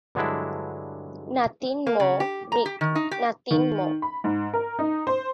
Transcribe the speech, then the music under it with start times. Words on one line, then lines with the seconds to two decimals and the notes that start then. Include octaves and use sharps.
Nothing more, Rick; nothing more.
0.15 G2 D3 F#3 G#3 D4 E4
1.87 A#3
2.00 C#3
2.20 G4
2.52 A#5
2.66 G4
2.81 D#3
2.95 D#4
3.11 G4
3.51 D#3
4.02 B5
4.24 G#2
4.54 A#4
4.79 D#4
5.07 C5